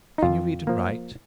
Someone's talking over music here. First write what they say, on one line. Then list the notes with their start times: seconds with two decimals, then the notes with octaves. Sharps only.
"Can you read and write?"
0.18 D#4
0.23 F2 F4
0.67 F3 A#3